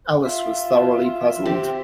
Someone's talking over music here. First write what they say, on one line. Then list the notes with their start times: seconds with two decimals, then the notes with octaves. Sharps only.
Alice was thoroughly puzzled.
0.24 F4 E5
1.46 C4 G4